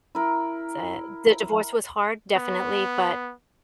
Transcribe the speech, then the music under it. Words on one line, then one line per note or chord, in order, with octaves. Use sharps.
So, the divorce was hard, definitely, but
E4 A#4
B3